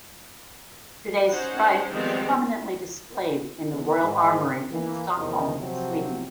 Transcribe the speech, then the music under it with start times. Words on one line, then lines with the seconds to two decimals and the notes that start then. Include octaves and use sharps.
Today Streiff is permanently displayed in the Royal Armoury in Stockholm, Sweden.
1.30 C#4 D#4 C5 F#5
1.91 D#3 F3 G3 G#3 B3 C4
3.68 E2
4.02 G#2 D#3
4.71 E3 A#3
5.17 E2 C3 D#3 F3 A3 D#4
5.59 C3 F3 F#3 C4